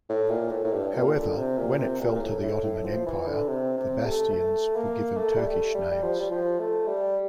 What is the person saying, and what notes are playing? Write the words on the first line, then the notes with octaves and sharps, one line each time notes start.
However, when it fell to the Ottoman Empire, the bastions were given Turkish names.
A2
A#2
A2
A2
G2
A#2
D3
C3
A#2
C3
A#2
A#2
A2
A2
A2
F3
E3
D3
C3
C3
A3
A3
A#3
A3
G3
A3
G3
G3
F3
G3
F3
A3
G3